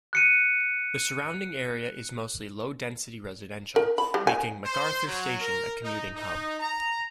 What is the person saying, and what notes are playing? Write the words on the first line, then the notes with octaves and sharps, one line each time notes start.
The surrounding area is mostly low-density residential, making MacArthur station a commuting hub.
F#6 C#7 D#7
A#4
B5
G3
G#5
C5
F#3
A#4
D#4
D#4
A#5